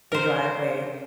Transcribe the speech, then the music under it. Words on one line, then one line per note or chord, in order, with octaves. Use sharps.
the driveway,
A#4 C5